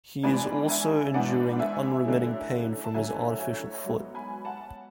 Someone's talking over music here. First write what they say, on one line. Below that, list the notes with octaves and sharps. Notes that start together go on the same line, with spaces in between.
He is also enduring unremitting pain from his artificial foot.
G#2 E3 B3 D4 G#5 B5
E5 G#5
G#2 E3 B3 D4 D5 F#5
E5 G#5
D3 F#3 A3 C#4 E4
A5
D3 F#3 A3 C#4 E4 E5 G#5
C#5 E5
G#2 F#3 B3
G#5 B5
F#5 A5